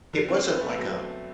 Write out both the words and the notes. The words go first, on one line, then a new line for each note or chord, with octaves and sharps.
It wasn't like a
D3
C4
B3
A3
F#3